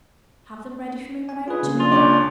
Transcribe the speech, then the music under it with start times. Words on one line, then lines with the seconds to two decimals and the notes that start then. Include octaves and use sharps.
Have them ready for me when I return.
1.29 G#5
1.48 F4 G#4 B4
1.63 C#3 A#3
1.80 D4 F4
1.92 C#2 C#4 D5